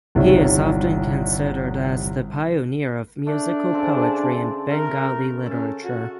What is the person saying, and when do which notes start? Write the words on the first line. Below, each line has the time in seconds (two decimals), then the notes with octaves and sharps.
He is often considered as the pioneer of musical poetry in Bengali literature.
0.15 G1 C2 C3 D#3 C#5 E5
3.27 A3 D4
3.73 C#3 C4 A4
4.70 A3 A#4
5.46 C#4 A4
5.84 F#4